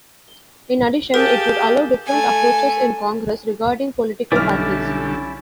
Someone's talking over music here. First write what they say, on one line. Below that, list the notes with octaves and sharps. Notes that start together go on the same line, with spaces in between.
In addition, it would allow different approaches in congress, regarding political parties.
G4 G#4 A#4 F5 G5 A5
A3 G#5
B1 D3 G3 C#4 E4 A4 D5 F6